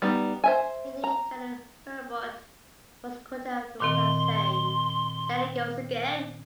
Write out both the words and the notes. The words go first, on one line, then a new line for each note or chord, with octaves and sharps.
Union General Hurlbut was quoted afterward as saying, There it goes again!
G3 B3 D#4
C5 E5 G#5
A#5
A#2 D#3 C4 C6